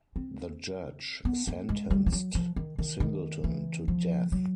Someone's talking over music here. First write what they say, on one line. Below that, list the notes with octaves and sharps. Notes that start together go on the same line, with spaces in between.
The judge sentenced Singleton to death.
C4
B3
A#3
G#3
G3
F3
F#3
F3
D#3
D#3
D#3
E3
F3
F#3